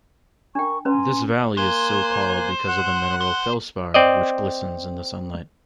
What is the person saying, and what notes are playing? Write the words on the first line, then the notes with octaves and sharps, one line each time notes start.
This valley is so-called because of the mineral felspar which glistens in the sunlight.
D4 A#4 G5 A#5 C#6
C#4 B4 G#5 A#5 C6
A#3 C5 G#5 F#6
F#5 F#6
C5
C4 D5 D#5